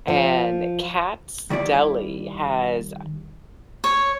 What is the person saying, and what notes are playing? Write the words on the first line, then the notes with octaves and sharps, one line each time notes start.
And Katz Deli has
F3
D#3 G3 E4 D5
C#5